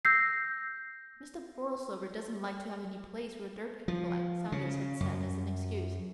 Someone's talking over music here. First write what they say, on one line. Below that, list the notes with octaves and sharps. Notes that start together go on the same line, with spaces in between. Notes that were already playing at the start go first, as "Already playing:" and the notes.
"Mr. Borlsover doesn't like to have any place where dirt can collect," Saunders had said as an excuse.
E6 G6 A#6 C7
F3
C#3
F#2